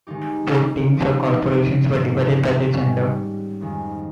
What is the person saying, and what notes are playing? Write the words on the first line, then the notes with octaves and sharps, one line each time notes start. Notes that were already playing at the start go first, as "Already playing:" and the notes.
Both teams, or "corporations", were divided by their gender.
D#3 G#3 C4 D#4 G4
F3 C4 D#4 G4
G#2 D#3 A#3
G#2 G3 C#4 G4
F2 D#3 G#3